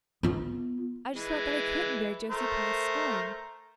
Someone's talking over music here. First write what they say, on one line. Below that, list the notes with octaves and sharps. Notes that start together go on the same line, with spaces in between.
I just felt that I couldn't bear Josie Pye's scorn.
B3 F4
E3 G#3
A3 A#4 C5